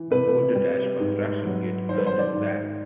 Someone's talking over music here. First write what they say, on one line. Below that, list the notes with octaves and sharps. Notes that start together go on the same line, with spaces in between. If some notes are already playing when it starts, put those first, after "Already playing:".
The Boulder Dash Construction Kit earned a Zzap!
Already playing: E3
C3 B4
G3
G#2
F#3
D#3 C5
B4
C5
D5
G#2